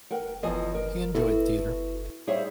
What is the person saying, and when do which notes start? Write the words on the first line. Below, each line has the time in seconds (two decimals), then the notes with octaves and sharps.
He enjoyed theatre.
0.11 A#4 F#5 G5
0.43 E2 F3 F#4 D#5 G#5
0.75 A#4
1.14 B3 E4 F#4 A4
2.27 G3 G#4 C5 C#5 E5 F5